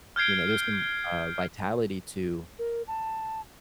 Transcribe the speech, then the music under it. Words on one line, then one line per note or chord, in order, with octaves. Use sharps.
you know, there's some, uh, vitality to
F6 G6 G#6 C7 D7
A#4
A5